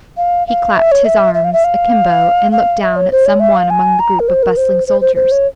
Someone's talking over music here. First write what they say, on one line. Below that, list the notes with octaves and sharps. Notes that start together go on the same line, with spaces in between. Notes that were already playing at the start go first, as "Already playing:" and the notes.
He clapped his arms akimbo and looked down at some one among the group of bustling soldiers.
F5
F5
E5
C#5
E5
E5
F5
E5
F5
F5
E5
C#5
C5
C#5
E5
F5
G#5
A#5
A#4
C5
A#4
C5
C5
C5
C5
C#5